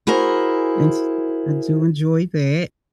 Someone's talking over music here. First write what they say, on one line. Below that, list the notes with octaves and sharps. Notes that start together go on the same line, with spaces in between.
and s I do enjoy that.
E4 F#4 G#4 A#4 C5